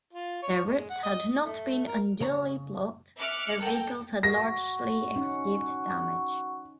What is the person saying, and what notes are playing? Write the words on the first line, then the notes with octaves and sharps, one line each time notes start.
Their routes had not been unduly blocked; their vehicles had largely escaped damage.
F4
C#5
G#3
F#5
D#5
A3
A#4
C#3 C#5 A#5
E5 D6 F6 F#6 C#7
A4 A#4 G5
F#4 A#6
C#4 D#4 F#5